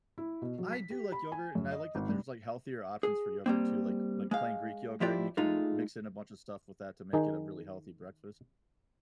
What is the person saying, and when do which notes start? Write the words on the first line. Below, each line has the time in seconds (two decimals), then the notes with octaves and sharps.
I do like yogurt, and I like that there's, like, healthier options for yogurt too, like like plain Greek yogurt, and you can mix in a bunch of stuff with that to make it a really healthy breakfast.
0.18 E4
0.42 B2
0.58 F#3
0.72 B6
0.90 G4
1.12 B5
1.32 G#5
1.55 F#2
1.72 D#5
1.95 G#1
2.09 G2
3.03 G#4
3.46 G3 A#3 C4
4.31 G#3 F5
5.00 F2 F3 E4 F4 G4 D5
5.37 G#3 A3 D#4 F4
7.13 D#3 D#4 G#4